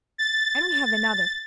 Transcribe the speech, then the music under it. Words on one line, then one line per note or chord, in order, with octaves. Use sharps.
And we have another.
A6